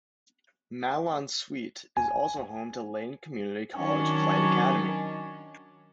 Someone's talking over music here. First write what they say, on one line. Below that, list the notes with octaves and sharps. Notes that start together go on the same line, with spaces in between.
Mahlon Sweet is also home to the Lane Community College Flight Academy.
G#5
D#3 F#3 C#4 D4